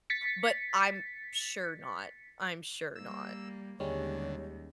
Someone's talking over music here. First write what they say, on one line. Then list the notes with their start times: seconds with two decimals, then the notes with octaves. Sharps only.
but I'm sure not. I'm sure not.
0.10 A6 B6 C#7
2.96 G3 A#3 E6
3.80 D#2 D3 G3 G#3 C#4 C#5